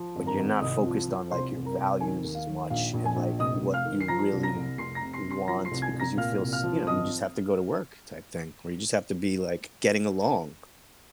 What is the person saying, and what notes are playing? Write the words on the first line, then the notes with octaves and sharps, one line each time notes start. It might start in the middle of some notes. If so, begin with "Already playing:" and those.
but you're not focused on like your values as much and like what you really want because you feel, s you know, you just have to go to work type thing. Or you just have to be like getting along.
Already playing: F3
G#1
A#4 A#5
G#1
C2 D#5 D#6
F3
F3
C2 C5 C6
C2
A#4 A#5
C2
D#3 G#5
D#2
F5
D#3
A#1 F5
A#1
G#5
A#1
F1 D#5 D#6
F1
F5 F6
D#3
C7
F3 A#5 A#6
C2
A#5 A#6
C2
F1 C6 C7
A#5 A#6
C3
C6 C7
C3
C6 C7
F3 A#5 A#6
C6 C7
C2
G#5 G#6
C2
A#5 A#6
A#2 F5 F6
C2
F5 F6
F3
G#1 D#5 D#6